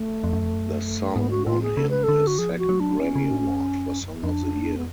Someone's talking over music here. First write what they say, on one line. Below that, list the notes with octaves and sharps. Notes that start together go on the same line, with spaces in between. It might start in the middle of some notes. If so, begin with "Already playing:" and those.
The song won him his second Grammy Award for Song of the Year.
Already playing: A3
F2
F#2
F2
F#2
G#2 B3
F#4
A2 F4
G#4
C#3 A4
B4
D3 A4
F#4
F3 G#4
G#4
F#4
F#3
D4
C#4
C#3
A2
F#2
F2 D4
B3